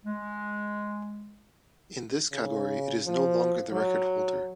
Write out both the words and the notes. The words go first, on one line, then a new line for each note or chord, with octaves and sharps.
In this category it is no longer the record-holder.
G#3
C#3
F3
F#3